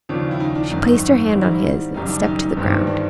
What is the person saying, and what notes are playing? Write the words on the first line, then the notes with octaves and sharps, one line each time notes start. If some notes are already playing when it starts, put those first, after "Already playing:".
She placed her hand on his, and stepped to the ground.
D#2 C#3 F3 D4
E4
D#4
D4
G#1 F#2 D#3 D#4
G#2 D#3 G3 C4 E4
D#4
E4
F#1 F#2 D#3 G3 D#4
D4
D#4
G1 G2 D#3 G3 C4
D4